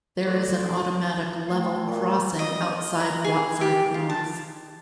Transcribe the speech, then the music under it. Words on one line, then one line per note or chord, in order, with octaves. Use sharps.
There is an automatic level crossing outside Watford North.
A2 C5 D5
A3 G5 E6
A#2
D#5
A#5
G#4
G4
F4
A5